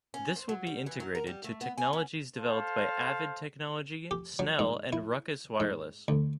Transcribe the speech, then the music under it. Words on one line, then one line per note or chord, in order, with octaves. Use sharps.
This will be integrated to technologies developed by Avid Technology, Snell, and Ruckus Wireless.
C#4
C5
F#3
G3
E3
F#3
A#4
G3
A3
B3
G#5
C#4
A4 C5 F5
G4
F#3
G#2
E4
G#2
D2